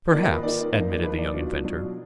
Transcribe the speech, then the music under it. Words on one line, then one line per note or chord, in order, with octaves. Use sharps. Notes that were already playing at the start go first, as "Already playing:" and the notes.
"Perhaps," admitted the young inventor.
D#3 A#3 F4 D5
D#5
B4
D#3 A#3 F4 D5
F3 A#3 D#4
D5
F3 A#3 D#4 B4
D5
B2 F#3 D4 F4
B2 F#3 D4 F4